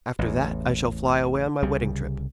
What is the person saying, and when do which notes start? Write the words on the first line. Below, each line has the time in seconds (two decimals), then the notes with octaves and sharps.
After that, I shall fly away on my wedding trip.
0.19 A1 E2
1.62 C2 C#3 G3